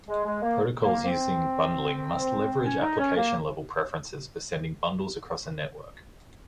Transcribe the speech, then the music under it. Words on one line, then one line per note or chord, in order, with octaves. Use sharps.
Protocols using bundling must leverage application-level preferences for sending bundles across a network.
G#3
G#3
A#3
A#3
C4
C#4
D#4
C#4
A#3